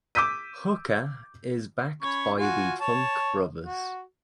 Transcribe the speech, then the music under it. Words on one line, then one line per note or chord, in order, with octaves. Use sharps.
Hooker is backed by the Funk Brothers.
D6 E6 G6 B6 D#7
C#4 B5 C#6
F4 F#4 G#5
C#5 A5
F#4